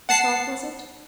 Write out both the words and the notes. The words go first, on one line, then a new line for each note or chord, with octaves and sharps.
Whose fault was it?
F#5 A5 C7